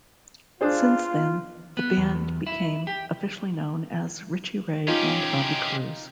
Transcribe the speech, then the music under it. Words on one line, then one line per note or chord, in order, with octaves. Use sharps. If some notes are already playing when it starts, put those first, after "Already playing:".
Since then the band became officially known as Richie Ray and Bobby Cruz.
D4 F4 G#4 C5
B3
E2
E4
G4
C#4 D#4 F4 G4